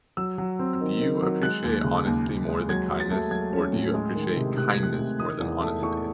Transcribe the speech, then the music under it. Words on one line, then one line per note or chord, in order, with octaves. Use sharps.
do you appreciate honesty more than kindness, or do you appreciate kindness more than honesty?
F#3 E6
F#3
C4
D#3
D#3
F#3
G#3 F#6
D#2
C#3
D#2
D#2
G#3
F#3 G#6
F#3
A6
A3
F#3 G#6
C#4
A2
G#3
D#3
C3
C3 F#6
G#6
C3
F#6
C3
D#3 D#6
E2
A3
E2 C#6